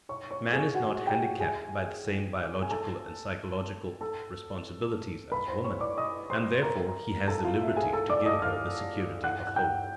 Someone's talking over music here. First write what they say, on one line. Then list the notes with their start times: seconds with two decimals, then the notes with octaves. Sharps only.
Man is not handicapped by the same biological and psychological responsibilities as woman, and therefore he has the liberty to give her the security of home.
0.09 C#5 C#6
0.31 C#5 C#6
0.52 G#4 G#5
0.74 F#4 F#5
1.07 G4 G5
1.40 G#4 G#5
2.62 G#5
2.70 A4 A5
4.01 A4 A5
5.32 B4 B5
5.48 C5 C6
5.64 C#5 C#6
5.81 D5 D6
5.97 D#5 D#6
6.30 C5 C6
6.63 A#4 A#5
7.28 A4 A5
7.44 F4 F5
7.61 E5
7.76 G#4 G#5
7.93 A4 A5
8.10 D5 D6
8.26 D#5 D#6
8.42 F5 F6
9.24 F#5 F#6
9.47 F#6
9.56 G5 G6